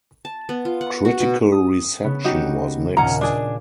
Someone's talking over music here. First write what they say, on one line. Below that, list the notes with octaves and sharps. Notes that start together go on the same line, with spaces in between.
Critical reception was mixed.
A5
B3
F4
F#5
F#4
B2
D#6
C#3 B3
D#4 F#4 G4
D#2 A#2 C#4 F#5 A#5
D4 G#4 D6